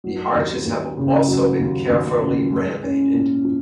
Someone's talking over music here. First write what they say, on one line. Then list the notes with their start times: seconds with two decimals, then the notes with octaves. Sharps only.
The arches have also been carefully renovated.
0.04 F#3
0.35 D#2
0.65 D#2
0.97 C#3
1.28 F#3
1.59 D#2
1.89 D#2
2.21 C#3
2.52 G#3
2.83 C#4
3.14 A#2
3.45 F3